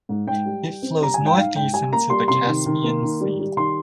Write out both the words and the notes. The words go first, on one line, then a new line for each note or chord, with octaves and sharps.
It flows northeast into the Caspian Sea.
G#2
G#2 G5
G3
G3
C4
G3 A#5
G#2 G#5
G5
D#4 F5
G#2 G5
G3 G#5
A#3 A#5
G3 C6
C3 C6
D#3
D#3
A#3
D#3
G3
G3
D#3 C6